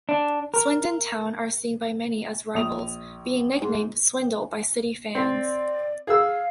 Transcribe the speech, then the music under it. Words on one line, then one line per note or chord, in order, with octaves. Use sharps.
Swindon Town are seen by many as rivals, being nicknamed 'Swindle' by City fans.
D4
A#4
A#1 D#6 F7
G#2
C4 D5
G#4 F5 E6